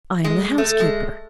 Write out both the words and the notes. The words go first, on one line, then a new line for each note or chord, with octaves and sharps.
"I am the housekeeper."
G#3
A3
G#3